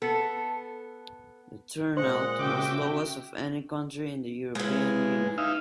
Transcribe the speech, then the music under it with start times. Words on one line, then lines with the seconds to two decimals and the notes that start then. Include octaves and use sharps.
The turnout was lowest of any country in the European Union.
0.02 B3 A4
1.97 A#2 G#3 C5 D#5 F#5
2.39 C#3 F#4 E5 G5 D6
4.55 C#3 E3 G#3
5.38 D#4 E5 F5